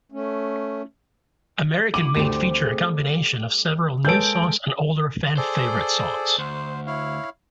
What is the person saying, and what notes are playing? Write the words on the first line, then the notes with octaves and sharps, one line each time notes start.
American Made featured a combination of several new songs and older fan-favorite songs.
A3 C#4
G#3 E4 F#4 D6 D#7 F#7
D2 G3 A3 C4 G4
G#4
G#3 A#3 A4 B4 C#5 G6 D7
G#4 A4 C5 D5
D2 C5
E4 C#5 F5